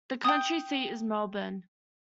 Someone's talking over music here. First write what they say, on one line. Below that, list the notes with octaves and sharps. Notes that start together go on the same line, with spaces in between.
The county seat is Melbourne.
G5 D#6